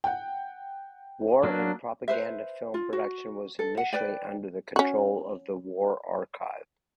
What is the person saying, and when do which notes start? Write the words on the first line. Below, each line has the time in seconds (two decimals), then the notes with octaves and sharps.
War and propaganda film production was initially under the control of the war archive.
0.04 F#5 G5
1.43 F#3 A#3 D4
2.08 B4 C5 E5
2.74 F4
2.93 F#4
3.59 A4
3.77 F#5
3.93 B4 D5 G5
4.76 C#4 F#4